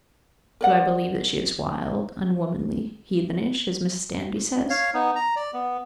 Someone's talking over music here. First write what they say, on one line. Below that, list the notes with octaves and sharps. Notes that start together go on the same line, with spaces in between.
Do I believe that she is wild, unwomanly, heathenish, as Mrs. Danby says?
A#4 D5 F#5
C#5 F5
B3 D#4
A#5
D5
B3